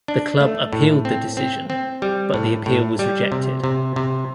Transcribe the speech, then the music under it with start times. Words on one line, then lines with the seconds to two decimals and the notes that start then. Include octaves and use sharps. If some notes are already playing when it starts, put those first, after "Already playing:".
The club appealed the decision but the appeal was rejected.
0.08 D4
0.40 A3
0.73 A2
1.05 C4
1.37 C4
1.70 C4
2.02 G3
2.34 A2
2.66 A2
2.99 G3
3.32 C3
3.64 C3
3.96 C3